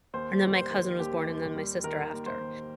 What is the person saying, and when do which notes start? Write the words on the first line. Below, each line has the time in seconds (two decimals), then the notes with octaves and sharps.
and then my cousin was born and then my sister after.
0.13 D#2 C5
0.42 G3
0.56 C5
0.71 D#3
0.98 D#2 G4
1.27 D#2
1.56 G3
1.84 D#3 A#4
2.13 D#2
2.26 C5
2.41 D#2